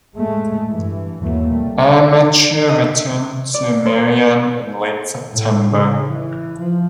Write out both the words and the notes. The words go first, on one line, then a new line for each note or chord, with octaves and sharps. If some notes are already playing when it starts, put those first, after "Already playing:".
Amateur returned to Merion in late September.
A2 G#3 A3
G2 E3
D#2 E3 F#3 A3 A#3
C2 C3 G3 A3
D#5
E5
D5
C5
A2
C#3
E3
F3